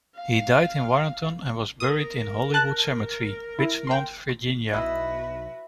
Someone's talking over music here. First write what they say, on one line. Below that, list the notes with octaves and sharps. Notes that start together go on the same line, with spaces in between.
He died in Warrenton and was buried in Hollywood Cemetery, Richmond, Virginia.
F5
A#4 D#6
A5 F#6
E4
G5 C6
B1 E4 F#4 B4 D#5